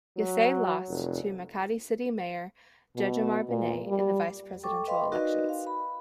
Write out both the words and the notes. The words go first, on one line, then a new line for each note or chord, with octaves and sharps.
Yasay lost to Makati City Mayor Jejomar Binay in the vice-presidential elections.
F#3
F1
B2
A#2
G3
A4 G5 C#6 D6
B4 D#5 F5 G5 B5 C6
D#4 F#4 A#4 B4 D5 D#5
F5
B5